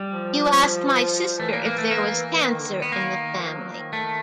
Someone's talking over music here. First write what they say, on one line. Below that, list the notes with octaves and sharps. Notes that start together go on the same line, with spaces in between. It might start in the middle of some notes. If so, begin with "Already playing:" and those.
You asked my sister if there was cancer in the family.
Already playing: G3
F3
E3 A3
A#3
A#3
A3
A#3
E3
D#3
D3
D#3
B3
A#3
F3
F#3
F3
D#3
A3